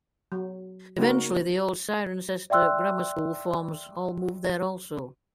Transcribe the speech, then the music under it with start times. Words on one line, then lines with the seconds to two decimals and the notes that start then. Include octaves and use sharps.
Eventually the old Cirencester Grammar School forms all moved there, also.
0.32 F#3
0.98 C#3 A#3 C#4 D#4 F#4 A#4
2.50 D5 E5 G5 C6 E6 F#6